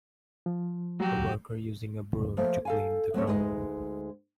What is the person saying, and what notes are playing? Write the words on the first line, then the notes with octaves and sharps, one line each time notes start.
A worker using a broom to clean the ground.
F3
F#3 F#4 G4
F3 A3 A#3
A4 F5 G#5
F#3 A3 C4 C#5
D2 G#3 D#4 B4 C#5 D#5